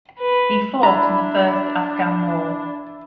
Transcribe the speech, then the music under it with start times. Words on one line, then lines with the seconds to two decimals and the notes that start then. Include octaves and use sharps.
He fought in the First Afghan War.
0.20 B4
0.83 D4 E4 A#5 B5